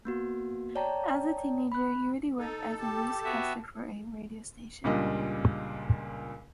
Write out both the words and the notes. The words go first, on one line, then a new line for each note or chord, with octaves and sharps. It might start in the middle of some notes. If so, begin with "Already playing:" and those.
As a teenager he already worked as a newscaster for a radio station.
A#3 B3 F#4
C#5 D5 G5 A5 A#5
B5 F#6
D#4 A4
G4 A5
B3 F#4 E5
C#2 A#2 G3 D4 D#5